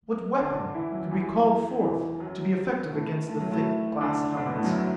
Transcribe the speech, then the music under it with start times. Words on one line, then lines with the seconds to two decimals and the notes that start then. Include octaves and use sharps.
What weapon could be called forth to be effective against the thick glass helmets?
0.38 D3 D4
0.74 E3 E4
0.92 F#2 F#3
1.11 E2 E3
1.83 E2 E3
2.20 F#2 F#3
2.92 A2 A3
3.28 A3
3.40 F#3
3.51 A2 A3
4.01 D3 D4
4.37 D3 D4
4.46 B2 B3
4.55 A2 A3
4.64 F#2 F#3